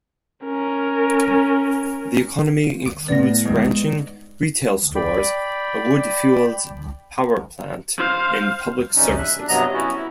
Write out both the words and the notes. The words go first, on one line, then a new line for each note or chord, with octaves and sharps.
The economy includes ranching, retail stores, a wood-fueled power plant, and public services.
C#4 A#4
A2 B3 D5 A#6
G#2 B3
D5 G5 B5
C5 F5
F#2 C3 G3 C#4 D#4
E5 F#6
D4
G2 C3 F#3 B3 D#5 A#5
B3 C#4 E4 F#4
E4